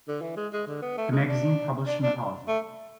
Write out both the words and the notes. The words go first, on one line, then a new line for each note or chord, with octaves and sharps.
The magazine published an apology.
D3
E3
G#3
G#3
D3
B3
A3
G#3
D4
D4
D4
A3